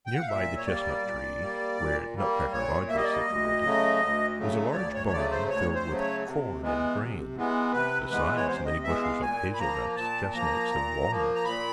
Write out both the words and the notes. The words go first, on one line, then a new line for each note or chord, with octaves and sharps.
Near by the chestnut-tree where Nutcracker Lodge was situated was a large barn filled with corn and grain, besides many bushels of hazel- nuts, chestnuts, and walnuts.
G5
F#5
F5
A#2 E5
C#5
G3 A#3 D5
A#2
G3 A#3
A#2
G3 A#3
A#2 C#5
G3 A#3 E5
D#5
D5
D#5
D2
C#3 F#3 A3
D2
C#3 F#3 A3
C#5
D2 D5
C#5
C#5
C#3 F#3 A3 D5
C5
D2 C#5
C5
C#3 F#3 A3
C#5
C3
E3 G#3 B3
C3
E3 G#3 B3
C3 B4
E3 G#3 B3 B4
C#5
C3 C5
D#5
E3 G#3 B3 E5
F5
A#2 G#5
B5
F3 A#3 A#5
A#2 A5
F3 A#3 A#5
A#2
F3 A#3
A#5
A#2 B5